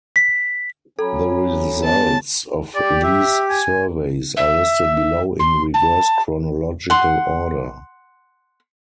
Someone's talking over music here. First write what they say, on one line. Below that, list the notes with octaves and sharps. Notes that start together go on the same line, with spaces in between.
The results of these surveys are listed below in reverse chronological order.
B6
F#3 C#4 A4 A#5 B5
B3 A5
G4 D5
E5
G#5
E5
C6
A5
F#5 C6